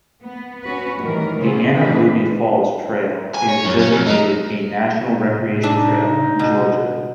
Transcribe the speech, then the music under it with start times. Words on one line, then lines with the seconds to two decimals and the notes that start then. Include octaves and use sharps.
The Anna Ruby Falls Trail is designated a National Recreation Trail in Georgia.
0.22 B3
0.63 C#4 F#4 B4
0.99 A2 D#3 E3 G3 A#4
1.40 C#3 B3 C#4 G#4 A4 C5
1.72 E3 B3 C4 D4 G#4 B4
2.07 G#3
3.35 G#5
3.49 C#5
3.65 F#2
3.79 C#4
3.92 F2
4.07 D#4
5.25 A2 C3
5.63 D4 D#4 E5
6.07 C#3
6.39 B2